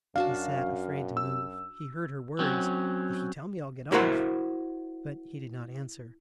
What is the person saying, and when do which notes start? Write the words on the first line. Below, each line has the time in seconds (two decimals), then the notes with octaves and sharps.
He sat afraid to move, he heard her words, "If you tell me, I'll get off," but he did not answer.
0.16 F#2 D4 F#4 F5 A5
1.17 E6
2.39 F#3 C4 C#4
3.92 E4 F#4 A#4 C5 E5 F#5